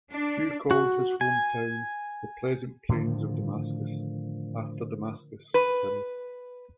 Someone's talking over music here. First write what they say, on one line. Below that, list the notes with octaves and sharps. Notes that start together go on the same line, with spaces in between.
Hughes called his town "The Pleasant Plains of Damascus" after Damascus, Syria.
D4
F#4
G#5
A2 D3 D#3 F3
B4